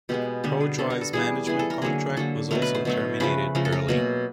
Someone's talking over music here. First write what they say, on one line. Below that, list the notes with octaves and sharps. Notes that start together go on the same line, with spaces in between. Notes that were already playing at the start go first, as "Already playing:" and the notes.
Prodrive's management contract was also terminated early.
B2 G#3 B3 G4
D3 G3 B3 G4
G#4
D3 G3 B3 A4
A#4
A4
E3 G3 B3 G#4
E3 G3 B3 G#4
A4
A#4
D3 F#3 A#3 G#4
D3 F#3 A#3 A4
B2 F#3 A3 A#4
B4
C5
B2 F#3 A3
C#3 F3 A3 B4
C#3 F3 A3 A#4
A4
A#4
B2 F#3 A#3